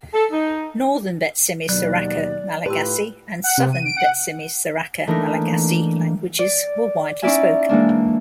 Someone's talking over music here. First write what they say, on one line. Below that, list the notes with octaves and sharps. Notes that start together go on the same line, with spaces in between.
Northern Betsimisaraka Malagasy and Southern Betsimisaraka Malagasy languages were widely spoken.
A4
D#4
D#2 B2 F#3 D5 F#6
A2 F4 G4 B4 A5 C6 E6
F#5
C3
D#7
D7
F#5
E3 A3 A#3 D4 D#4 A#4
D5
C#4 D#4 E4 D5 E5 G#5
E3 G#3 A#3 D4